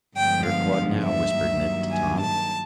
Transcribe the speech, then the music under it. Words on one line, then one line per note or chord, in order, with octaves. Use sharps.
"You're caught now," whispered Ned to Tom.
G2 D3 F3 G#3 B3 G5
F5
E5
G2 D#3 F#3 A#3
G#5
A5